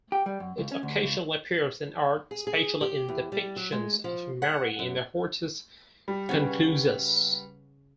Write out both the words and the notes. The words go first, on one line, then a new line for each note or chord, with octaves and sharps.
It occasionally appears in art, especially in depictions of Mary in the hortus conclusus.
G4
G3
F#2
C#2
C#4
D2
C#2
G#4
G#4
G4
E2
G3
F#3
G#3
F3
F#5
F#2
G3
C#3 C#4 B4 F#5